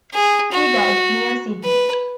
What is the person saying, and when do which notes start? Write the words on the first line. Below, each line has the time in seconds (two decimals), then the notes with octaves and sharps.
He died near Sydney.
0.14 G#4
0.52 F#4
1.64 B4